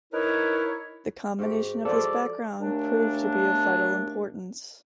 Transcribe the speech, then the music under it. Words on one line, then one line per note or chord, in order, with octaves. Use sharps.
The combination of this background proved to be of vital importance.
D#4 E4 A#4 B4 C#5
G#2 F#4 G4
F3 F#3 G#3 A4 D5
D#2 A#2 A3 D4